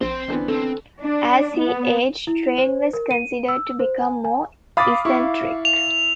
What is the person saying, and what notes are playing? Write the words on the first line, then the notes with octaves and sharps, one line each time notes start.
As he aged, Train was considered to become more eccentric.
A#1 C4 C5 C6
D3 E3 B3 C#4
C4 A4
D4
B3
E4
C5
A#4
D#7
E6
C5
G#5
G#5
F5 B5 D6 D#6 A6
E4 C#6
F7